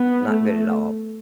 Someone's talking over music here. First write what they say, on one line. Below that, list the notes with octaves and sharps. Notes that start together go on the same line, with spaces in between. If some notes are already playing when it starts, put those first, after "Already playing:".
not good at all.
Already playing: B3
A3